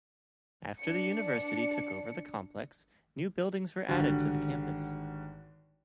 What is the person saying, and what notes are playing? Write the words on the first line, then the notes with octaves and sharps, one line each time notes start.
After the university took over the complex, new buildings were added to the campus.
D4 C#7
G#1 D3 G3 F#4